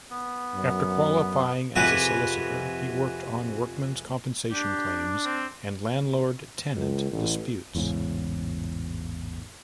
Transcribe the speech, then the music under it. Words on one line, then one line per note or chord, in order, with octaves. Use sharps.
After qualifying as a solicitor he worked on workmen's compensation claims and landlord-tenant disputes.
B3
F#2
F2 C3 F#4 G#4 B4 D6
D4 G4
C4
C#2
A1
A1 E2 G#2 C#3